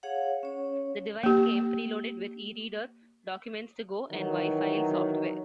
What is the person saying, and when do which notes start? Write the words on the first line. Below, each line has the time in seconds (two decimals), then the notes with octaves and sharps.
The device came pre-loaded with eReader, Documents To Go, and WiFile software.
0.03 G#4 C#5 F5 F#5
0.43 C#4 C#5
1.23 A#3 G4
4.12 D#3 E3 F#3